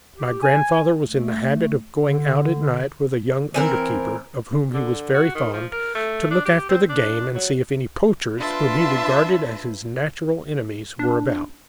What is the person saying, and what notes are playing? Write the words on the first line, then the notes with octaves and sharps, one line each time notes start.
My grandfather was in the habit of going out at night with a young under-keeper, of whom he was very fond, to look after the game and see if any poachers, whom he regarded as his natural enemies, were about.
G4
G#5
A3
D3
E3 C4 A#4
D3
F#4
D#3
F3
A#4
A3
D4
G4
C4
D4
F#3
D4 F4 B4 E5 A5 C6
D4